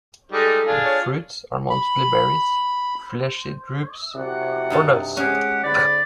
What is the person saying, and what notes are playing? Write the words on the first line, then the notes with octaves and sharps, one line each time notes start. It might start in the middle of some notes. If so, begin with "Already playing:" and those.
The fruits are mostly berries, fleshy drupes, or nuts.
G3 G#3 D#4 A4
D4 F4 G#4
C#5
B5
C3 E4 F#4 F#5
G2 D#4 A5
G#3 C#4 G4 G#4 F#5
G#2 D3 D5 B5